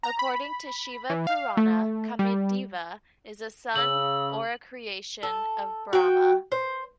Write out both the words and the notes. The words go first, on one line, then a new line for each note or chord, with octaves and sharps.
According to Shiva Purana, Kamadeva is a son or a creation of Brahma.
A#5
B5
E3
F5
A3
G3
C#3 E6 F#7
A4
F#4 G5
C5